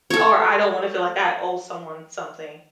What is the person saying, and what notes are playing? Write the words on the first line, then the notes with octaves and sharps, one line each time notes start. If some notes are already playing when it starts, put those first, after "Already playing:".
or I don't wanna feel, like, I owe someone something.
A4 C#5